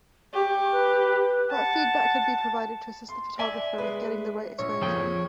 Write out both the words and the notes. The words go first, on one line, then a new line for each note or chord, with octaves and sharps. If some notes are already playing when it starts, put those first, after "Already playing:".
What feedback could be provided to assist the photographer with getting the right exposure?
G4 C#6
B4
F#5 A5
C6
D5 E5 G#5
G#3 B4
A#1 C#5
F2 A#2 F3 G#4 G5